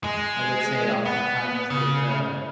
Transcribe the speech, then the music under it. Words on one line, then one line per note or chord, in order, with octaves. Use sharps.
I would say oftentimes that, uh,
G#3
B3
C#3